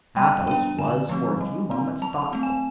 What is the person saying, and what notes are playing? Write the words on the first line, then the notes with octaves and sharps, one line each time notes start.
Athos was for a few moments thoughtful.
G3 G5
B3 D4 G5
D3 G#5
F3 A3 C4
G3
C4
F#3 A5
A5
A3 C4
G#5